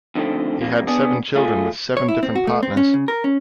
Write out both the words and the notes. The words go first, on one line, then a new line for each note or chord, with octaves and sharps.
He had seven children with seven different partners.
F2 D3 D#3 A3 C4
F2 C3 A#3
B3 D4 G#4
A3 F4 G#4
C#5
E4
C4
F#4
A3
C4
C#4
C#3
A#4
C#4